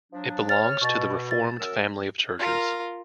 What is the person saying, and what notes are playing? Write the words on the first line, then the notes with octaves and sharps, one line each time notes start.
It belongs to the reformed family of churches.
F3 F#3 D4
C#5 F6 A6
B2 C#6 A6
A6
F#2 A#4 E6
F4 A#4